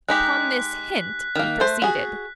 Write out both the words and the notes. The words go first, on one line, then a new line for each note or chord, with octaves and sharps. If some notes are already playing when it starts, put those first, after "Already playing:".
Upon this hint he proceeded.
G#3 D#4 G4 F#6 B6
D#3 A#3
A3 C5
F#4 G#4